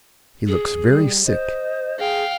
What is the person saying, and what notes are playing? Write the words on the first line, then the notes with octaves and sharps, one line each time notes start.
He looks very sick.
G#4
G3
C5 D#5
G#4 F5 G5